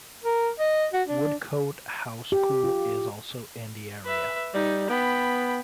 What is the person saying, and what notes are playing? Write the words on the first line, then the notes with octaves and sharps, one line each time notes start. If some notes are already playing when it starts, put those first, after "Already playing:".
Woodcote House School is also in the area.
A#4
D#5
F#4
D4
G4
F4
B4 E5
G3 D#4
B3 G5 B5